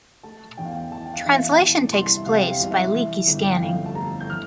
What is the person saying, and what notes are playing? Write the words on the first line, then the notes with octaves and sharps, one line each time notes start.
Translation takes place by leaky scanning.
A3 A5
E2 G5
F5
G5
E3 A5
G5
F5
E2 E5
F5
G5
E3 A5
C2 C6
E5
C3 F5
G5
F5
C2
E5
E3
G1
G5
F2 F5
A5
A3 A#5
G6
E3 F6